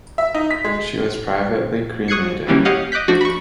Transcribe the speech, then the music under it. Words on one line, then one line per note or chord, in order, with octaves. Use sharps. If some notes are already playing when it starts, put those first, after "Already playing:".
She was privately cremated.
E5
D#4
B6
G#3
C#6 D#6 F#6 G#6 C7 C#7
B2 D3 E3 G3 A#3 C#4
G4 C#5 D#5 F5 F#5
D#5 D6 F#6 G6 B6
F3 A3 D4 F#4
B5 C#6